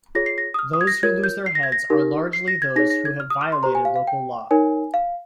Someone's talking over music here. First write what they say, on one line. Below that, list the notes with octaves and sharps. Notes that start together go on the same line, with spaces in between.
Those who lose their heads are largely those who have violated local law.
F4 G#4 C#5 A#6
C7
A#6
D#6
F6
D#6
G#6
A#6
F4 A#4 C#5 G#6
G6
C7
A#6
G#6
A#6
D#4 G4 A#4
C7
A#6
G#6
D#4 G#4 C#5 A#6
A#6
G#6
F6
D#6
F6
C6
G4 C5 A#5
G#5
F5
F5
G5
D#4 A#4 C#5 G#5
F5